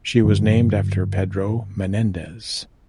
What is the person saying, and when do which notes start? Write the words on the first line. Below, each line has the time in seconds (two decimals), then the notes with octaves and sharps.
She was named after Pedro Menendez.
0.24 G2 D3 F#3 G3